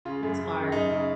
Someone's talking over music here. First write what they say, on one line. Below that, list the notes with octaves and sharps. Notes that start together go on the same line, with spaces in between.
it's hard.
C#3 F4
F#2
C#3
C#3
F#2 D#4
C#3